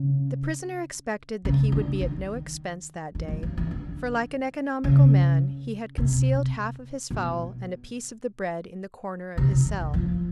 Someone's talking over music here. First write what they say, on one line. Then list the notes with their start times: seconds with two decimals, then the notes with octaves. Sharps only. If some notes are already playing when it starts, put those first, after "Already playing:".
The prisoner expected that he would be at no expense that day, for like an economical man he had concealed half of his fowl and a piece of the bread in the corner of his cell.
Already playing: C#3
1.45 C#3
1.72 D3
2.01 D#3
3.15 D#3
3.28 F3
3.43 F3
3.57 E3
3.71 D3
4.84 C#3
5.98 C3
7.11 B2
9.37 C3
9.51 D#3
9.65 D#3
9.80 E3
9.94 F3